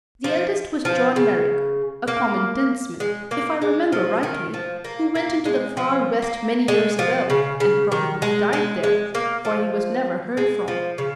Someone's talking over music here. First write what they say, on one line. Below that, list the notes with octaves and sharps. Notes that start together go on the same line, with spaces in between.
The eldest was John Merrick, a common tinsmith, if I remember rightly, who went into the far west many years ago and probably died there, for he was never heard from.
F3
F3
C#3
A#3
G#3
A#3
G#3
F3
D#3
F3
A#3
A#3
G#3
F3
A#3
G#3
F3
C#3
C#3
D#3
G#3
G#3
G#3
A#3
F3
G#3
F3
C#3